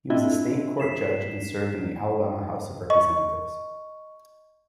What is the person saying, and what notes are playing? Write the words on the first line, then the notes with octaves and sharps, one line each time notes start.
He was a state court judge and served in the Alabama House of Representatives.
C4 D4 E4 F4 D#5 E5
B6 C7 E7
D#5 C#6